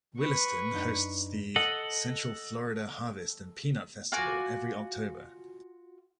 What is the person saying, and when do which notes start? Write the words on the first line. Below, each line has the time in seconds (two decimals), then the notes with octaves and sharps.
Williston hosts the Central Florida Harvest and Peanut Festival every October.
0.17 B4 C#6
0.74 F#2 D4 D#4
1.56 A4 D#5 F#5
4.12 F4 F#4 G#5 D6